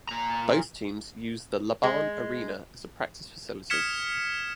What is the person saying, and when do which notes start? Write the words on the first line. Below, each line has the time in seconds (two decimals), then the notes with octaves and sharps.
Both teams use the LaBahn Arena as a practice facility.
0.09 A#2 A#5
1.83 G#3
3.70 D#6 F6 G#6 B6 C#7 E7